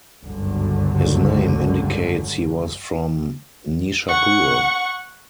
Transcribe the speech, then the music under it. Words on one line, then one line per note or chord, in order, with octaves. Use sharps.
His name indicates he was from Nishapur.
G1 C#2 F#2 D3 F#3
F#5 C#6